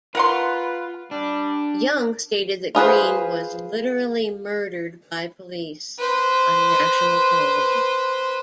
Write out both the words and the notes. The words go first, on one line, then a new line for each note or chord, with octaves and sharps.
Young stated that Green was "literally murdered by police" on national television.
F4 A#4 B4 F#5 C6
G3 D4
F4 G#4 B4 C5
B4 C5